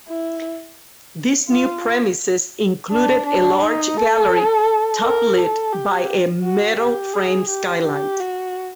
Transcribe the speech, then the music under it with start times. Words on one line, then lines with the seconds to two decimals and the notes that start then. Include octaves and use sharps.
These new premises included a large gallery top-lit by a metal framed skylight.
0.09 E4
1.50 F4
2.91 D4
3.26 D4
3.62 D#4
3.97 A4
5.03 A#4
5.37 A4
5.73 G4
6.43 F#4
6.78 G4
7.14 G#4
7.49 G4
7.84 G4
8.20 F#4